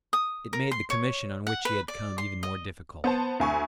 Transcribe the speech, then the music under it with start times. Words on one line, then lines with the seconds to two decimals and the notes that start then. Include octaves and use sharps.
It made the commission on which he had come even more difficult.
0.13 D#6
0.53 A#4
0.71 C6
0.90 C#5
1.47 F#5
1.65 B4
1.88 D5
2.18 C6
2.43 D#5
3.04 B3 C5 A5
3.40 D2 G#5 C#6